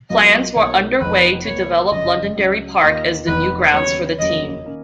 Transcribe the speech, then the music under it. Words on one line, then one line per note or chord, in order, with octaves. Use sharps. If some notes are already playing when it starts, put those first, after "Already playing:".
Plans were under-way to develop Londonderry Park as the new grounds for the team.
B1 B2 F#3 A#3 F4 D#5
B1 B2 F#3 A#3 D#4 C#5
F1 F2 F3 B3 D#4 B4
C#2 B2 A#3 C#5
F#1 F2 C#3 F3 D#5
C#2 C#3 F#3
D#2 D#3 A#3 F4 D#5
F1 F2 F3 B3 D#4 B4
D#2 C#3 F#3 B3 C#5
F1 D#2 C#3 F#3 A#3 D#5
D#3 A#3 C#4